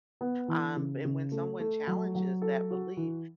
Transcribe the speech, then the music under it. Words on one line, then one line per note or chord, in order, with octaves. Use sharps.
Um, and when someone challenges that belief,
B3
E3
C#3
C#3
A3
A3
F#3
F#3
A4
F#4
E3